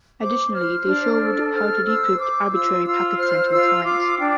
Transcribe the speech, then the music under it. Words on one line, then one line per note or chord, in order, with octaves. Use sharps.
Additionally they showed how to decrypt arbitrary packets sent to a client.
C5 D6
C5 F6
D4
A4
C5 F6
C5 E6
C5 D6
F4 E6
F4 E6
C5 F6
F4 E6
F4 D6
D4 G5